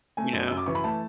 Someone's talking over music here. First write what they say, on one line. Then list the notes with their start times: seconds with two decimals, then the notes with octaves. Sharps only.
You know?
0.17 A3 G#5
0.33 F#2
0.48 F#2 E6
0.58 D6
0.66 E3 C#6
0.75 B5
0.84 A3 A5